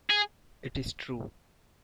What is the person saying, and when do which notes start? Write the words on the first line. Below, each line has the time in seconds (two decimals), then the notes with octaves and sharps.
It is true.
0.10 G#4